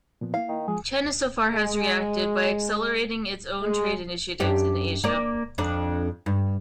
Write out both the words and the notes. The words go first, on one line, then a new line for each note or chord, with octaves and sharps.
China so far has reacted by accelerating its own trade initiatives in Asia.
A#2 F3 B3
A#3 E4 F5
D#3
F3 G#3 G#4
G#3
G#3
F#2 D4 G4
A#3 D5
F2 D4
G2